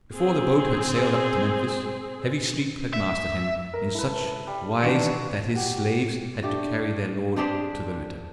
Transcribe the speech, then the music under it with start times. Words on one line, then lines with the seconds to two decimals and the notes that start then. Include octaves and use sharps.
Before the boat had sailed up to Memphis, heavy sleep had mastered him in such wise that his slaves had to carry their lord to the litter.
0.14 C4 G#4
2.93 E5
3.74 A#4
3.95 E4 A4 B4
4.47 G3
4.83 D#3 E3 D4 F#4 B4 A5 C#7
5.55 F#4 G4
6.43 A3 D4 G4
7.36 C4 D4 G4 G#4 C5